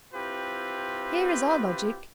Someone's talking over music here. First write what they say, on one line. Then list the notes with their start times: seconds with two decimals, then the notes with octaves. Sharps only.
Here is our logic.
0.13 C4 E4 F4 G4 B4